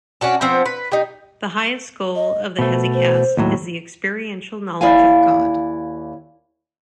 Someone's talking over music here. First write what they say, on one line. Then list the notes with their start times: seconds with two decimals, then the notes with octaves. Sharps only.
The highest goal of the hesychast is the experiential knowledge of God.
0.21 C#4 D4 F#4 A5
0.41 F3 B3 C4
0.66 B4
0.92 G3 D#4
2.16 D#5
2.59 B2 A3 C5
2.94 C5
3.37 D#2 A2 F#3
4.81 D#2 E4 D5 E5 F5 G#5